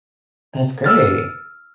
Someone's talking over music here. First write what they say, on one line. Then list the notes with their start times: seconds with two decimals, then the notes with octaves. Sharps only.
That's great.
0.84 E6 F6 A6